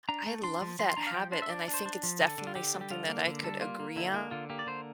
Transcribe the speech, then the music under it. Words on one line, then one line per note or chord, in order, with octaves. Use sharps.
I love that habit, and I think it's definitely something that I could agree on,
D4 A#5
A3
D4 C6
F3
F3 C6
C6
D4 A#5
F5
F3 G5
D4 C5
E5
D4 D5
D4
C5
D4
F3
D3 A4
D3
F4
D3 G4
G3
G4
D3 F4
A#3
D3
G3 A4
A#3 F4
A#3
D3 E4
A#3
D3 F4
A#3 G4
D5
D3 C5